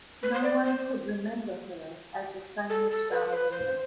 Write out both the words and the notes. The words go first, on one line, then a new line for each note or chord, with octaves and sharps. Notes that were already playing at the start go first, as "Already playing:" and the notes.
No one could remember her as a famous ballerina.
B4
C5
D5
C5
A4
A4
B4
C5
B4
C5